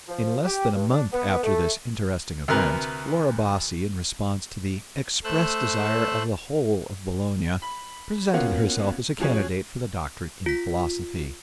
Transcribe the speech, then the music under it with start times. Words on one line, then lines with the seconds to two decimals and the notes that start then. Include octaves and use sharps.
In less than a month after this interesting event Laura Bassi, in response to the expressed desire of the whole of Bologna, presented herself as a candidate for the doctorate in philosophy.
0.08 F3
0.44 G4
0.73 G2
0.91 D4
1.12 B3
1.43 A3
2.48 D2 C3 A#4 B4
5.24 A3 C5 E6 F#6
7.62 B5
8.33 A#3 B3 C#4 F4 F#4 F#5
9.19 F3 C#4 F#4 G#4 C#5
10.46 F4 B6